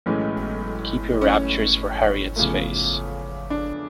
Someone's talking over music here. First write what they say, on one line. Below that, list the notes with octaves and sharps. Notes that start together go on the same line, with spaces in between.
Keep your raptures for Harriet's face.
B1 A2 E3 G#3 C#4
C#4
E2 C#3 F3 A3
D4